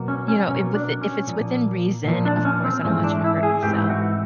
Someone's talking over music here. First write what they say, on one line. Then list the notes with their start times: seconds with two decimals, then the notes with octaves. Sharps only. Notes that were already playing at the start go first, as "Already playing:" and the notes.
You know, if with if it's within reason, of course, I don't want you to hurt yourself,
Already playing: B2 F#3 A#3
0.08 C#4
0.28 C#4
0.48 B2 F#3 A#3 C#4
0.74 D4
1.01 C#4
1.27 A#2 F3 A#3
2.05 A#2 F3 A#3
2.25 D4
2.45 C#4
2.64 C4
2.84 G#2 E3 A3 C4 C#4
3.04 D4
3.24 E4
3.43 G#4
3.63 G#2 E3 A3 C4 G4
3.90 F#4